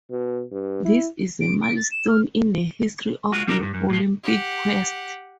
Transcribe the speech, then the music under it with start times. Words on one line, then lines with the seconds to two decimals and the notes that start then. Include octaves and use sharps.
This is a milestone in the history of your Olympic quest.
0.11 B2
0.52 G2
0.85 E4
1.41 D7
1.62 D7
1.76 A6
1.91 E7
2.08 F6
3.32 G#3 F4 F#4
3.47 G3 D4 G4 A#4
3.59 E2 G2
3.74 F#2
3.90 A2 F3
4.23 G4 F#5